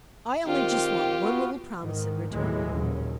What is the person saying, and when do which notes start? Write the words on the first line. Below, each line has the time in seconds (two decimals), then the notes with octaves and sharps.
"I only just want one little promise in return."
0.46 D#3 C4 F4 G4
1.21 B3 F#4 B4
1.79 G#2 D#3
2.32 D#2 A2 E3 F#3 G#3
2.74 D#2 A#2 C#3 F#3